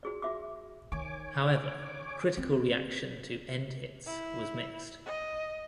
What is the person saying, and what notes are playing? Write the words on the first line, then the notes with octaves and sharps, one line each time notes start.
However, critical reaction to "End Hits" was mixed.
F#4 G#4 D5
F#4 E5 D6
D#3 C#5 G#5 D6
C4
E4
D#5